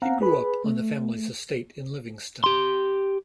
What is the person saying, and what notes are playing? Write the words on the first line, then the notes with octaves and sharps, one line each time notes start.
He grew up on the family's estate in Livingston.
C4 F5 F#5 A#5
G#4 B4 B5
A3
G4 C6